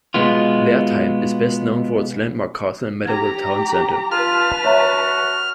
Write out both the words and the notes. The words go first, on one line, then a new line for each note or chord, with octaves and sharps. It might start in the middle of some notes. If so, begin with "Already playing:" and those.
Wertheim is best known for its landmark castle and medieval town centre.
B2 G#3 B3 F4
G4 A#5 G#6
F4 B4 A5 F6
F#4 C#5 E5 A#5